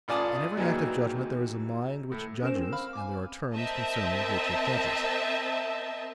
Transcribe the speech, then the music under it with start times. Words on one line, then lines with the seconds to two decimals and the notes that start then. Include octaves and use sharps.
In every act of judgement there is a mind which judges, and there are terms concerning which it judges.
0.08 A1 F4 D5 G#5 A5 D#6
0.56 D#2 D#3 E3 F#3 G#3
2.12 A2
2.42 C#4 A#4 C5 E7
2.56 C4
2.73 F5 B5 F6
2.93 G#5 D6
3.54 C4 A#4 D#5 E5 A5